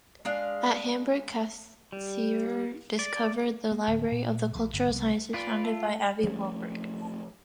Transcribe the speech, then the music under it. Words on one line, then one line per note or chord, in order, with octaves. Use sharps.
At Hamburg Cassirer discovered the Library of the Cultural Sciences founded by Aby Warburg.
G#3 D4 F5
G3
D5
A#3
D1
A#2
A#1
G1
C2
F4 B4 D5
A3
F3 A3 A#3 C#4